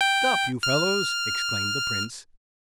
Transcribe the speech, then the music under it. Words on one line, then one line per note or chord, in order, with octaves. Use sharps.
"Stop, you fellows!" exclaimed the prince.
G5
F6